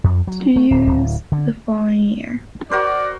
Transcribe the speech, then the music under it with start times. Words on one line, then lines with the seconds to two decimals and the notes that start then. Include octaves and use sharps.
Studios the following year.
0.04 F2
0.27 F#3
0.56 A3
0.71 D1
0.86 D1
1.32 D3
2.71 F#4 A#4 C5 D5